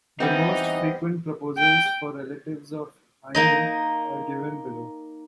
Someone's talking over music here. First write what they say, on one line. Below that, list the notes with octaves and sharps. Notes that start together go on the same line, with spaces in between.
The most frequent proposals for relatives of Ainu are given below.
E3 G3 B3 C4 D#4 D#5
G5
A#3 D#4 D#5